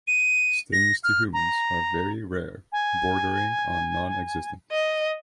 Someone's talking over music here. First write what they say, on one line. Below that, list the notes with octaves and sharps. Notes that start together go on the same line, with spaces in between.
Stings to humans are very rare, bordering on non-existent.
D#7
A#6
F6
A#5
G#5
D#5